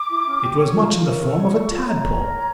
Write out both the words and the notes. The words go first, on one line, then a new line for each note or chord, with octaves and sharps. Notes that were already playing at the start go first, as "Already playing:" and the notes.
It was much in the form of a tadpole!
Already playing: D6
E4
C#4
G4
D6
C#5 C#6
F4
A#5
F4 C#6
A#4
A4 C#6
C#5
A4
F4
C#5 A#5
C#5
A#4
C#5